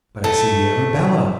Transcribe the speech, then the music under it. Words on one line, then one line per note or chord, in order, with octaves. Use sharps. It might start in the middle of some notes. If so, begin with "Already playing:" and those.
"But I see the Arabella."
A3